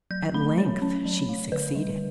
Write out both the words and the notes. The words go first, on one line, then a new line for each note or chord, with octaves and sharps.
At length she succeeded.
F#3 G6
A3 B5
F#3 C#5
C#4
F#3
A3
D3 B4
G3